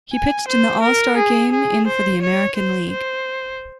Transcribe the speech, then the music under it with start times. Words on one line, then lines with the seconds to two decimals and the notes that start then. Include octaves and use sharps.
He pitched in the All-Star Game in for the American League.
0.13 G#5
0.48 C5
0.83 A#4
1.17 G#4
1.53 G#4
1.87 C5
2.22 C#5
2.56 C5
2.91 C5